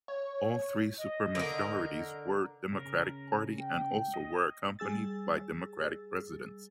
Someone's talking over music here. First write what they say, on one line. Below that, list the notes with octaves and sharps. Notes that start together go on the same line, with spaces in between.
All three super majorities were Democratic party and also were accompanied by Democratic Presidents.
C#5
D#5
D3 A#4
C#3 A#4
G5
D#5
G3 G#4 E6 A6